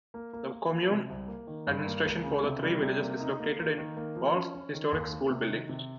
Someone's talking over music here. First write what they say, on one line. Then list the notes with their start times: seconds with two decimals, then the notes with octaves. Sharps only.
The commune administration for the three villages is located in Wahl's historic school building.
0.14 A#3
0.33 A#3
0.52 A#3
0.71 F3
0.91 C3
1.09 C2
1.28 A#3
1.47 D#3
1.67 G2
1.87 A#3
2.05 C#2
2.24 C#3
2.44 C3
2.63 G3
2.82 C3
3.01 A#3
3.20 D#4
3.39 A#3
3.59 A#3
3.78 D#3
3.97 A#3
4.16 F3
4.35 C#4
4.54 C#4
4.73 D#3
4.92 D#2
5.12 A#3
5.30 C3
5.50 D#3
5.69 C3